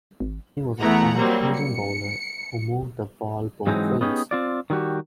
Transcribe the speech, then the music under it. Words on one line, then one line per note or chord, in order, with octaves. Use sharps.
He was a fast medium bowler who moved the ball both ways.
G#1
E2 A3 B3 E4 F#5 A#5
F#3 G3 A#3 C4
C#7
G#2 E3 F#3 G#3 C4 D#4
B3 C#4 D#4 G4 G#4
C4 F4 D5
D#3 F#3 G3 F#4 G4